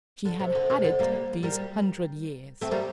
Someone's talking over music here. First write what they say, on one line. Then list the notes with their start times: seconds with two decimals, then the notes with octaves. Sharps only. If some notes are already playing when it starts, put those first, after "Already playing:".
She had had it these hundred years.
0.25 D3
0.40 C3
0.55 D3
0.69 C3 D#3
0.84 D3
0.99 G3 A#3
1.43 G3 A#3
2.61 A3 C4
2.71 G3 A#3